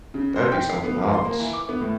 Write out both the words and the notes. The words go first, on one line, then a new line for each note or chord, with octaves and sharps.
that'd be something else.
C#3
C5
G5
C7
B3
F3
C6
A#3
E3
D6
B3
A2